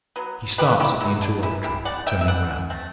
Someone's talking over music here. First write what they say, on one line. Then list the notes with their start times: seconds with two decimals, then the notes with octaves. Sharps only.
He starts at the interrogatory, turning round.
0.16 F#3 B3
0.58 D3 G4 B4
0.80 E4 G4
1.01 F#3 B3 E4
1.22 D4
1.43 E3 E4
1.64 E4 G4
1.85 A3 C4 D5 F#5
2.06 E5 G5
2.21 E5
2.28 E3 D5 F#5
2.70 A3 C4